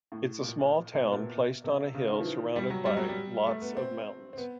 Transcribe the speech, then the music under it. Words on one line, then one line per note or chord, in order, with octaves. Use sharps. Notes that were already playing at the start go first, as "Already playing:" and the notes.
It is a small town placed on a hill surrounded by lots of mountains.
A2
A#2
C3
B2
A#2
B2
C3
C#3
D#3
F3
E3
G3
F#3
G3
F#3
G3
A3
B3
C4
C4
B3